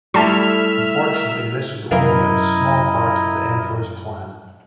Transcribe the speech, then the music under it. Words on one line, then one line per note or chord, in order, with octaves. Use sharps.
Unfortunately, this was only a small part of the Emperor's plan.
G3 A3 E4 E5 A5 C6 F6
F#2 E3 A#3 E4 A#4 D#5